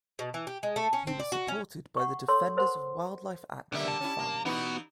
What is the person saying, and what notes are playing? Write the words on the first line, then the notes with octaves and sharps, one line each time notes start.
He was supported by the Defenders of Wildlife Action Fund.
B2
E3
G4
G#3
A3
C#4
C4
D5
F#4
C#4
F#5 C#6
A4 C#5 C6 E6
A#4 C5 F#5 C6
B1 D3 G3 A#3 E5
A5
C#4 E4
A#3
E3 B3 D#4 E4 F#4